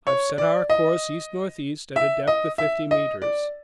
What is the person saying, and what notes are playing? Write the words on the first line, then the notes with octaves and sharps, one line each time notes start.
I've set our course east-northeast at a depth of fifty meters.
C#5
D5
D#5
E5
D#5
E5
D#5
D5